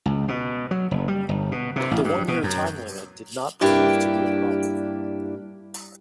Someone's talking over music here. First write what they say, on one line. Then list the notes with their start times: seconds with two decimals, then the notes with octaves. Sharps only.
The one year time limit did not prove to be a problem.
0.06 C#2
0.28 B2
0.71 F#3
0.91 F#1
1.08 G3
1.29 G1
1.52 B2
1.76 C3
1.91 A1
2.04 G2
2.28 B2
2.43 F#2
3.61 G2 A#3 D4 E4 G4